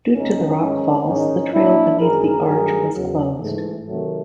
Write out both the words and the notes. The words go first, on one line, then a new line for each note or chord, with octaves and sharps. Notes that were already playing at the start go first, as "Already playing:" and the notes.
Due to the rockfalls, the trail beneath the arch was closed.
F2 C#3 F3 A3 C#4 D#4
G#2 D#3 G#3 C#4 D#4
G#2 D#3 G#3 C#4 D#4
A#2 F#3 A#3 D4 E4
F#2 D#3 G#3 G#4 A#4
G2 D#3 F#3 A3 G#4 A#4
E2 C#3 F#3
G#2 E3 A3
C3 D#3 F#3 A3